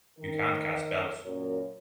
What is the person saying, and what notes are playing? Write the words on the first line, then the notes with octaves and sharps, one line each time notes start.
You can’t cast spells.
D#3 A#4
F#2 A#2 F#3 A#4 C#5